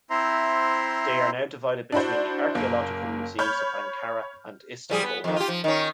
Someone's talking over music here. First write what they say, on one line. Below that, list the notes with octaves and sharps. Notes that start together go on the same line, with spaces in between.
They are now divided between the archaeological museums of Ankara and Istanbul.
C4 E4 C5 E5 A#5 C6
D4 E4 F#4 C5
F#1 A#3
C#5 B5 F6 G6
F3 G3 G#4
B3
F2 D#3
F4 G4
F3
D#3 C#4